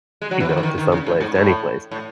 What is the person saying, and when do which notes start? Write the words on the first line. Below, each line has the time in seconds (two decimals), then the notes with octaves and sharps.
you know, to someplace, to anyplace.
0.22 G#3
0.31 F#3
0.40 E3
0.49 D#3
0.57 E3
0.63 D#3
0.78 D#3
0.92 C#3
1.07 A2
1.20 G#2
1.35 A2
1.91 A2